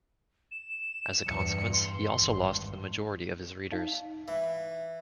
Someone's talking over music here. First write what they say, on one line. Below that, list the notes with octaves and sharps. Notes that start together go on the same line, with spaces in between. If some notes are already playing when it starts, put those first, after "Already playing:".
As a consequence he also lost the majority of his readers.
E7
E2 G2 C#7
C6
G#1 G2
D#4 F5
E3 F5